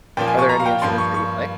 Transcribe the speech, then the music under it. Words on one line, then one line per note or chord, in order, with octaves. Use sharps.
Are there any instruments that you play?
A#2 F3 A#3 G5
G#5
C#6
A#5
F5
G5
G2 F3 A#3 C6
C#6
C#6